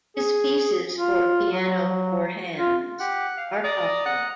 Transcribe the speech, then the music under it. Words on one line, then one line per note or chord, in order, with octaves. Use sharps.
His pieces for piano four hands are popular.
G#4
F4
F#3
F4
G4 F#5
F5
D5 D#5 A#5 D#6
F#5